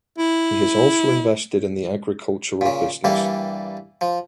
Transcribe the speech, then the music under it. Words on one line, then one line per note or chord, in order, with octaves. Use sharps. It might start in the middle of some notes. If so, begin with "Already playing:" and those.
He has also invested in the agricultural business.
E4
A#2 C#3
G2 E3 G3 A#3
F3